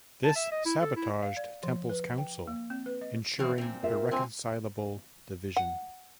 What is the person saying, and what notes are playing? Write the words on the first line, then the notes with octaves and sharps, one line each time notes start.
This sabotaged Temple's Council, ensuring irreconcilable division.
A5
E5
D#5
E4
A4
E4
F5
D5
F3
B4
G5
A#3
C4
B4
D#5
E2 F#3 C4
A#2 C4
F4 A#4 E5
G2 A#2 C4 G#5
F#5